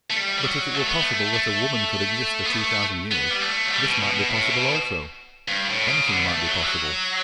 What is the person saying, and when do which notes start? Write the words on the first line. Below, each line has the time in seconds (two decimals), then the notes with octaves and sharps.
But if it were possible that a woman could exist for two thousand years, this might be possible also--anything might be possible.
0.10 A3
0.16 G3
0.38 G3
0.45 F#3
0.74 A3
0.87 B3
1.00 A3
1.33 A3
2.45 B3
2.52 A3
3.11 B3
3.31 G3
3.41 A3
3.66 F#3
3.70 G3
3.86 B2
4.01 B2
4.15 B2
4.30 A2
4.50 B2
5.48 G2
5.68 A2
5.87 C#3
6.07 D3
6.17 B3
6.26 A3
6.46 F#3
6.62 G3
6.66 F#3